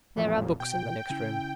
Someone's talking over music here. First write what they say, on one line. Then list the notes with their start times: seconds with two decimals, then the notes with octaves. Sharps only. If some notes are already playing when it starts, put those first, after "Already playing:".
There are books in the next room.
0.16 A1 F2 A#2
0.60 B2 G5
1.10 C#3 C#4 E4